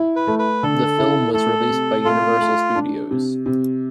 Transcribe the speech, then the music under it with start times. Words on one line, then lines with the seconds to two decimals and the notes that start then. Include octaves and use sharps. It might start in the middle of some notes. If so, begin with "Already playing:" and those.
The film was released by Universal Studios.
Already playing: E4
0.16 B4
0.27 A3
0.39 B4
0.63 D3 A4
0.98 E4
1.33 A3 A4
1.70 C3
2.05 A3 F4
2.41 A3
2.75 D4
3.11 C3
3.46 C3